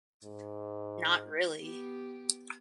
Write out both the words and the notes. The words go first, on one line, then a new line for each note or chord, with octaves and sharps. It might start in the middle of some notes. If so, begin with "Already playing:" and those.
Not really.
G#2
B3 G4